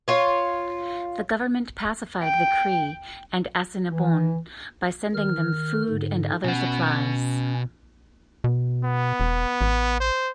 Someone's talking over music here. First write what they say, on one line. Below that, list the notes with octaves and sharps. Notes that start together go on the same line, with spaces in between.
The government pacified the Cree and Assiniboine by sending them food and other supplies.
F4 C#5
G5
E3
D#3 F6
G#2 D3
B2 C#4 F#5
B2
B3
E1
A1
C5